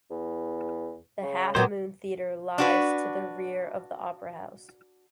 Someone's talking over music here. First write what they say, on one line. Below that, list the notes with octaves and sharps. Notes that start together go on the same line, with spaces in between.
The Half Moon Theatre lies to the rear of the Opera House.
E2
C#3
A#2 F#3 A#3 B3 G4 C5
D4 F#4 B4